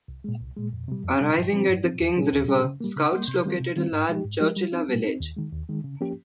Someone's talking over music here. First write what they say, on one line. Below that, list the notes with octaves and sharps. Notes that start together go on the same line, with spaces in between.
Arriving at the King's River, scouts located a large Chowchilla village.
C2
A#2 G#3
C2
A#2 G#3
F2
C3 G3
F2
C3 G3
G2
F3 C4
G2
F3 C4
D#2
C#3 G3 C#4 G#4
D#2
C#3 G3 C#4 G#4
C#3
G3 A#3
C#3
G3 A#3
C3
D#3 G3 C4 F4
C3
D#3 G3 C4 F4
G#2
F3 G#3 D#4 G4
G#2
F3 G#3 D#4 G4
G3
C4 D#4
G3
C4 D#4
D#2
D#3 G#3
D#2
D#3 G#3
C#3
F3 A#3 C#4 G4